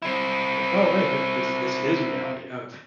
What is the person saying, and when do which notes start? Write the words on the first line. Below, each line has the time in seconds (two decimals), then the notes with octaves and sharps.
Like, "Oh wait th this this is reality, huh?"
0.02 C4 E4